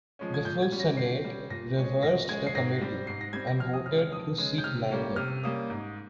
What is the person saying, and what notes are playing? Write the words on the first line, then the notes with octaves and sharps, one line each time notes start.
The full Senate reversed the committee, and voted to seat Langer.
F3 G#3 C#4
G#6
A#2 G6
G#6
G3 C#4
A#6
A#2 C7
G3 C#4
A#2 A#6
G#3 C#4
A#2 A#6
G#3 C#4 G#6
C7
G#2 A#6
G3 C4
G#2 C7
A#6
G3 C4 G#6
A#6
F2 F6
D#6
C#3 G#3 F6
F6
F2 D#6
C#3 G#3
G6
C3 F6
G3 A#3 C#4
C3 F6
G3 A#3 C#4 D#6
G#2